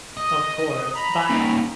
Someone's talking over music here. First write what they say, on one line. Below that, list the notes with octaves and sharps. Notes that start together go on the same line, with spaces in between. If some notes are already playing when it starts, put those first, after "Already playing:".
Of course. Bye.
D#5
A#5 B5
D#2 C#3